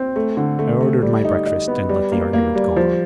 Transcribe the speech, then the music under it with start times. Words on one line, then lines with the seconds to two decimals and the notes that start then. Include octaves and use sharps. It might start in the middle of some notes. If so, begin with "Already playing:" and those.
I ordered my breakfast and let the argument go on.
Already playing: C4
0.16 A3
0.37 D3
0.59 A3
0.81 A3
1.02 G3
1.25 D#4
1.46 D#4
1.68 B3
1.89 G3
2.12 A#3
2.33 A#3
2.55 G3
2.76 F3